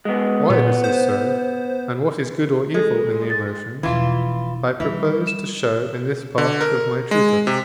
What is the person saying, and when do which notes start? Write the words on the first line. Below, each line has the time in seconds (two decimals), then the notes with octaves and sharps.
Why this is so, and what is good or evil in the emotions, I propose to show in this part of my treatise.
0.05 G#3 B3
0.50 A#2 B3
0.84 C5
2.74 G#3 A4
3.30 A6
3.83 E1 E3 F3 F4
4.80 D3 E3 G3
5.27 E7
6.38 D3
6.61 A#4
7.11 G#3
7.47 C3